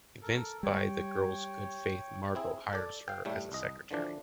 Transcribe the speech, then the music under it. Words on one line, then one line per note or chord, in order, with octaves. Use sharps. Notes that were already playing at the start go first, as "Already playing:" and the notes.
Convinced by the girl’s good faith, Margo hires her as a secretary.
A4 A#4
G3 C#5 G5
C4 E4 G#4
A4 D5
F5 G5
A2 G3 A3
C2 D#5
D3 E3 F3 D4